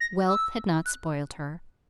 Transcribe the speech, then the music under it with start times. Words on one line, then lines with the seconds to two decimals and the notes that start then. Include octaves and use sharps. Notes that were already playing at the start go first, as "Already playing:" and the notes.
Wealth had not spoiled her.
0.01 A#6
0.28 E6
0.86 F#6